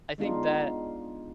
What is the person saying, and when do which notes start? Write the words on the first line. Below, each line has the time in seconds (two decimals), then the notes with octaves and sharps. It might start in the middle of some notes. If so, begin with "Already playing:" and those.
I think that,
0.18 G#3 B3 D4 D#4 F4